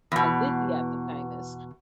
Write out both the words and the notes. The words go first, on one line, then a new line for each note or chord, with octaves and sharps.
I did the act of kindness.
E2 B2